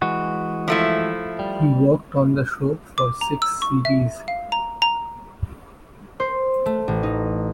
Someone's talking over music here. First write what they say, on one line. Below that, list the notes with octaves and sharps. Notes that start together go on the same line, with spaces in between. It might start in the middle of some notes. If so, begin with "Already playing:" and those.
He worked on the show for six series.
E3 G#3 F#4
F3 A3 E4
G3
D6
A#5
E6
C#6
E5
F5
A#5
A#5
C5
A3
A1
D#4